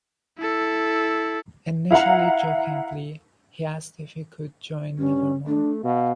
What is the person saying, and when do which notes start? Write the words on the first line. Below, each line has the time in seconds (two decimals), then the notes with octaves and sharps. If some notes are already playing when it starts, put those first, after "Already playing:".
Initially jokingly, he asked if he could join Nevermore.
0.38 E4 A4
1.91 E4 F5 F#5 A#5
4.99 G2 C#4
5.47 A3 D4
5.84 B2 F5